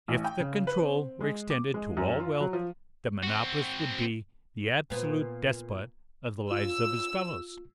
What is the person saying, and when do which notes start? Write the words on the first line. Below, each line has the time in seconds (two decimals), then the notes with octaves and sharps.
If the control were extended to all wealth, the monopolist would be the absolute despot of the lives of his fellows.
0.08 A1
0.24 G5
0.40 C#3
0.67 B4
0.82 C4
1.21 G#3
1.50 D6
1.74 G#3
1.97 F#2
2.20 F4
2.41 F#3
2.53 F3
3.24 C4 F#4
4.90 A#2 B3
6.52 F4 E6